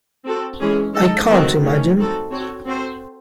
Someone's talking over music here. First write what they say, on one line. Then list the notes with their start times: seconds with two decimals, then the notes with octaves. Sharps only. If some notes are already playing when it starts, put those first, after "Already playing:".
I can't imagine.
0.25 C4 F#4 A4
0.60 E3 G#3 C#4 G#4
0.94 G#3 D#4 A4
1.29 D#3 A3 C4 F#4
1.62 D#3 A3 C#4
1.97 C4 D#4 F#4 A4
2.31 C4 F#4 A4 C#5
2.65 C4 F#4 A4 C5